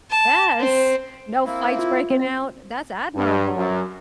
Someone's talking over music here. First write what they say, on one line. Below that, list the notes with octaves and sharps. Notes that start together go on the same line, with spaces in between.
Yes. No fights breaking out? That's admirable.
A5
C4
A#3 C4 E4
F4
C4
G2
F#2